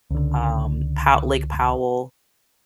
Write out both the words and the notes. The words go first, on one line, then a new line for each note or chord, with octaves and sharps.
um, Po Lake Powell,
C#2 D3